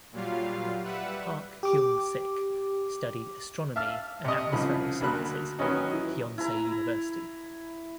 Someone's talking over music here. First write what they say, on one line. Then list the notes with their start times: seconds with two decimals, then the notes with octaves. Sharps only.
Park Heung-sik studied Astronomy and Atmospheric Sciences at Yonsei University.
0.12 A#2 F#3 G3 F4 F5
0.84 G3 B4 E5 F#5
1.63 G4 D6
3.76 E5 F5 A5 E6 F6
4.25 C3 D#5
4.52 C2 C#3 F3 B5
5.01 D2 A#3 F#4 B5 F#6
5.59 D#3 F#3 B3 C#4 D#4
5.93 E3
6.38 E4 A#5